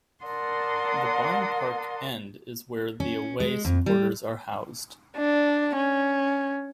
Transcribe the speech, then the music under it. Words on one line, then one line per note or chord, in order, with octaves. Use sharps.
The Barn Park End is where the away supporters are housed.
A#4 D5 F#5 A5 C6 D#6
C#4
G#3
F2
G3
D4
C#4